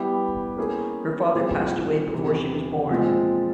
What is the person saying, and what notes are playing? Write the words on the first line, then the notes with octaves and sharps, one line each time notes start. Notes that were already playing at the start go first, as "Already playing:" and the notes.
Her father passed away before she was born.
Already playing: G3 B3 E4 G4
A#3 C#4 E4 G#4
A#2 G3 C4 E4 G#4
E2 C3 E3
A#2 F3 G#3 C4 F4